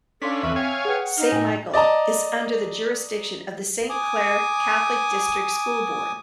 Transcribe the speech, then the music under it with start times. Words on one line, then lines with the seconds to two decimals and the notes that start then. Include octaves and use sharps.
Saint Michael is under the jurisdiction of the Saint Clair Catholic District School Board.
0.22 C#4 D4 A4 F5 C6 B6
0.43 E2 C4 B4 E5 C#6 F6
0.56 C#5 F5 G5 G#5
0.85 G#4 B4 F#5
1.17 D#4 F5 G7
1.32 A2 G5 G#5
1.74 D5 D#5 A5 A#5
3.90 G#5 D6 D#6